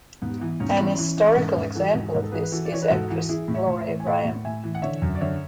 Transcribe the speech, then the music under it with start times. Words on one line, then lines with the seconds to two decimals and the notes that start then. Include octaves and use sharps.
An historical example of this is actress Gloria Grahame.
0.22 G#2 B3
0.41 E3
0.60 G#2 C#4
0.71 B3
0.79 E3 C#4
0.99 E3
1.17 E3
1.37 G#2
1.56 G#2
1.75 E3 F#4 A4
1.94 G#2
2.14 G#2 B4
2.24 A4
2.32 E3 G#4 B4
2.43 B4
2.52 E3 F#4 A4
2.65 D5
2.72 E3 C#5
2.82 B4
2.90 G#2 F#4 A4
3.10 E3
3.29 E3 E4 G#4
3.48 A2
3.54 C#5 E5
3.68 A2
3.80 C#5 E5
3.87 E3
4.00 G#5
4.06 A2 D5 F#5
4.25 A2
4.45 A2 E5 G#5
4.64 E3
4.75 F#5
4.82 D3 C#5 E5
5.02 F#2
5.15 D5
5.21 D3 C#5 E5